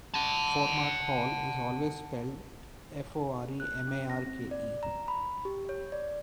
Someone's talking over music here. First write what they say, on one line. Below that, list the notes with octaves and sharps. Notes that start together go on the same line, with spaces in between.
Foremarke Hall - is always spelled "Foremarke".
F#5 A5
F#6
C#4
A#6
C4
D5
A#5
B5
G4
C#5
D5